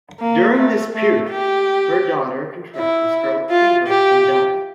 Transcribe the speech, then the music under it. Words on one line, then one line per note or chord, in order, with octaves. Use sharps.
During this period, her daughter contracted scarlet fever and died.
A#3
A3
A3
G4
E4
F4
G4